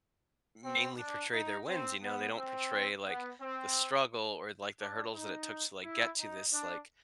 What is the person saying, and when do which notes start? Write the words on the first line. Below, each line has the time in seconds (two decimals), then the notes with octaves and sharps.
mainly portray their wins, you know? They don't portray, like, the struggle or, like, the hurdles that it took to, like, get to this, like,
0.63 C4
0.97 D4
1.31 D#4
1.66 C4
2.00 B3
2.36 C4
3.05 B3
3.40 C4
4.78 D4
5.13 D#4
5.83 E4
6.18 D#4
6.52 D4